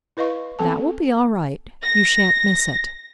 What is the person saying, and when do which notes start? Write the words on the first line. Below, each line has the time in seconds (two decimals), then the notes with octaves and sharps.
That will be all right; you shan't miss it.
0.17 E4 B4 D#5 F5 C#6
0.59 B3 C4 A4 A5
1.82 A#6